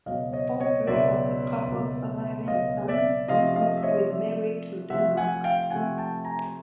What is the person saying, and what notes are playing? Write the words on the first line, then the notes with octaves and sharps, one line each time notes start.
All three of the couple's surviving sons moved with Mary to Denmark.
C#2 B2 F#3 D#5 F5
C#5 D#5
C#5 D#5
C#2 B2 F#3 D5 E5
C#2 B2 F#3
C#2 B2 F#3 D#5 F5
D5 E5
C3 F3 A3 D#5 F5
D#5 F5
E5
C#5 D#5
C3 F3 A3 D5 E5
C3 F3 A3 E5 F#5
F#5 G#5
F5 G5
C3 F3 A3 F#5 G#5
G5 A5
G#5 A#5